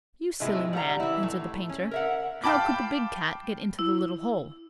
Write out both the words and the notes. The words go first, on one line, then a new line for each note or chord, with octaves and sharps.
"You silly man," answered the painter, "how could the big Cat get into the little hole?"
A2 C3 F3 G#3 E4
G3 F#5 A#5
E3 E4
A2
C#4
A#4 E5 F#5
F5 G5 A5 B5 D6
E4